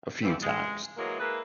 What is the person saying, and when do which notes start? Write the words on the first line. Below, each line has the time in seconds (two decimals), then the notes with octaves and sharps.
a few times.
0.23 B2 D3 E3 F3 G3 C4
0.42 G#3
0.97 A2 E3 F#3 G#3 A#3
1.19 G#3 A#3 E4 B4